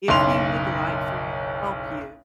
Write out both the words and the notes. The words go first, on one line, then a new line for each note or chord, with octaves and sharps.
If you would like for me to help you,
F#1 B1 C6 F7